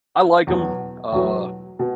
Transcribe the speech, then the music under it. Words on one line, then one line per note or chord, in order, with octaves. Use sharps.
I like 'em. Uh,
E2 B2 F#3
E2 B2 F#3
B2